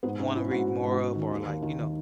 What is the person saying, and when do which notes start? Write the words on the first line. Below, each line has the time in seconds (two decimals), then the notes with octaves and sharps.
wa wanna read more of or, like, you know.
0.03 G#2 B3
0.19 G#2 C#4
0.35 G#2 E4
0.51 G#2 F#4
0.67 G#2
0.83 G#2
0.99 G#2
1.15 D#3
1.31 D#2
1.46 D#2
1.62 D#3
1.79 D#3